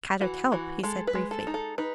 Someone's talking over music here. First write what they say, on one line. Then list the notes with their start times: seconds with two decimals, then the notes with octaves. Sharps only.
"Kadok help," he said briefly.
0.21 E3 F#4
0.52 E3 F#4
0.83 G#3 A4
1.07 B4
1.15 G#3
1.31 A4
1.47 D#4
1.54 A4
1.78 D#4 B4